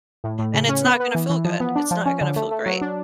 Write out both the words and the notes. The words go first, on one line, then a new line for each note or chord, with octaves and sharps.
And it's not gonna feel good, it's not gonna feel great.
A2
A2
C#3
C#4
B3
B3
E3
E3
F3
B3
D4
F3
C#4
D3
A3
A3
F#3
D4